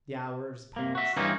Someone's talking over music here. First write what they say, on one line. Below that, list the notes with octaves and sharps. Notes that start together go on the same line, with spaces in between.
The hours passed.
C3 A#3
F#4 E5
G2 E3 A#3 C4 C#4 D#4